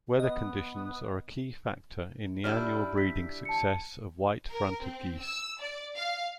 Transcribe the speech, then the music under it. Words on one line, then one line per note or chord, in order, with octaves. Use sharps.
Weather conditions are a key factor in the annual breeding success of white-fronted geese.
B3 D#5
G3 D4 E4 F6
B6
A5 C#7
A#4
C4
E6
D5
F5